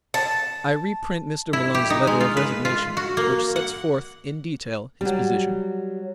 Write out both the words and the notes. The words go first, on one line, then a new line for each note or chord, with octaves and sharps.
I reprint Mr. Malone's letter of resignation which sets forth in detail his position.
A5
E4
G4
D#4
G#3
F4
B4
F4
F#4
A#3
F#5
F#3 G3